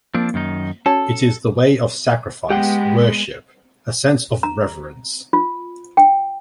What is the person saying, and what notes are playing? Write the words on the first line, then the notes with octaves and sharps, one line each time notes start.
It is the way of sacrifice, worship, a sense of reverence.
F3 A#3 C4 D4
F#2 D#3 D#4
C#4 F#4 A4 C#5 A5
G#3 B3 G4 F#5 G5
A#5
F4
G5